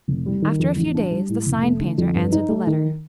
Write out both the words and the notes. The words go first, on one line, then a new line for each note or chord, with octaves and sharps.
After a few days the sign painter answered the letter.
F1
G3
D#3
F2
A1
D4
G3
A2
F1
A3
D3
F2
G2
D#4
A3
D#3